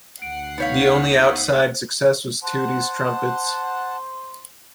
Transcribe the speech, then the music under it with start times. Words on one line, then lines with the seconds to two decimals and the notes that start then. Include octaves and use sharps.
The only outside success was "Tutti's Trumpets".
0.22 D2 F#5 C7 D7
0.58 B3 D#4 C#5 F5 G6 B6
2.44 C5 F#5 A5